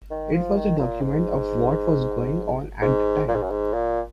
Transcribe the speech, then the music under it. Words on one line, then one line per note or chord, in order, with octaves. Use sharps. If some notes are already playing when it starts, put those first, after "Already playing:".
It was just a document of what was going on at the time.
D#3
F3
D#3
A#2
G#2
G#2
A#2
G#2
F#2
G#2
A#2